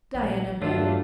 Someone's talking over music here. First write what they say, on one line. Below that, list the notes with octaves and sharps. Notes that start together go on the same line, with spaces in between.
Diana Barry.
A#1
G2 F#3 A3 D4 F4